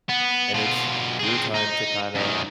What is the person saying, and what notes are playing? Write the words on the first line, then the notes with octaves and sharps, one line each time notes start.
and it's your time to kinda
B3
B2 F4
C4 G#4
D#4
F#2 D#3